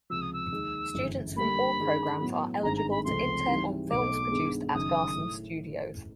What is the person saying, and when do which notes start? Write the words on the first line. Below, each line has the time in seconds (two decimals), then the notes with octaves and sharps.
Students from all programs are eligible to intern on films produced at Garson Studios.
0.10 C#2 C3 F3 E6
0.21 D#6
0.33 E6
0.52 D#2 D#3 G#3
0.94 G1 F#2 C#3 E3 A3
1.36 G2 D3 G3 A#3 B5
1.79 G2 D#3 G#3 C#4
2.21 A2 F#3 B3
2.63 G#1 G2 D#3 G#3 C4 A#5
2.76 A#5
2.90 B5
3.04 C#2 C3 F3 A3 C4 C6
3.47 G#2 E3 G3 C4
3.89 B1 B2 F#3 A3 D6
4.31 G2 D#3 G#3 B3
4.74 F#1 F#2 D#3 D#6
5.15 A2